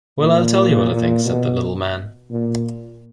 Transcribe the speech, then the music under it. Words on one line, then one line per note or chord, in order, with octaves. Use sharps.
"Well, I'll tell you what I think," said the little man.
A#2
A#2
B2
A#2